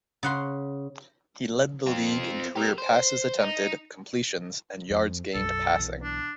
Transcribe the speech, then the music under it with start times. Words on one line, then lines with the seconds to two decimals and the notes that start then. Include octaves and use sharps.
He led the league in career passes attempted, completions, and yards gained passing.
0.23 C#3 F#5 C6
1.87 C4 F4
2.56 G4 A#4
2.78 C5
3.41 D#4
4.90 F2
5.35 B1 F#2 A4
5.78 B1 E3
6.03 D4